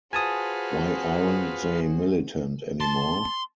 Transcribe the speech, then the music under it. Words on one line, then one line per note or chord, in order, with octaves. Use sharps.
Why aren't they militant anymore?
F4 F#4 G#4 B4 C5 G#5 A5 D#6
A5 C6